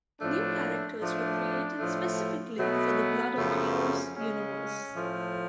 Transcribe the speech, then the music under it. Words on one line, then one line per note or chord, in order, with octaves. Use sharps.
New characters were created specifically for the "Blood of Heroes" universe.
A2 F3 A3 D4
A2 F3 A3 D4
A2 F3 A3
B2 F#3 A3 B3
F#2 C#3 F3 A3
C#4
C#3 G#3 C#4
A2 F3 A3